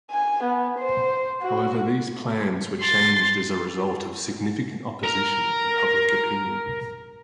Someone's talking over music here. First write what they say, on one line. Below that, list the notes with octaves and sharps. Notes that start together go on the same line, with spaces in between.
However, these plans were changed as a result of significant opposition and public opinion.
G#5
B3
C5
F#4
C6 A6
A#4 A#5